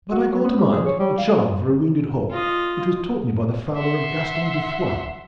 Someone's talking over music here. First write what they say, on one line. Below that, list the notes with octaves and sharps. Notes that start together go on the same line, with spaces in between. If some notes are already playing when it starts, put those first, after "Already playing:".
But I call to mind a charm for a wounded hawk which was taught me by the fowler of Gaston de Foix.
F#4
F#3
B3
G3
G#4
C#5
G3
F5
F#3
F4 D#5
E5 F#5 C6